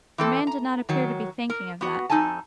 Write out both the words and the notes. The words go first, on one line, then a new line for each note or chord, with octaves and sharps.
The man did not appear to be thinking of that.
E3 C4 A4
A#5
D#3 F#3
A#4
B3 F#4
F2 D#4 A4 G#5 A5